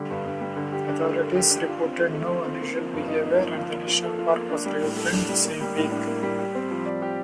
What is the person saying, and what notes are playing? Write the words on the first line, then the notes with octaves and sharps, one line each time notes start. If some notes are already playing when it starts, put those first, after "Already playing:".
Authorities reported no unusual behavior and the national park was reopened the same week.
Already playing: D3 G3
G2
G2
G3
D3
G4
D4
A3
A#4
G4
D4
F4
C4
A3
A3
F4
C4
A#3
F3
G2
D#4
A#3
F3
F4
A#3
F3
A4
F4
A#3
D4
G3
A2
A4
D4
G3
A#3
G3
A2
D4
A#3
G3
G4
C4
F3
D5
G4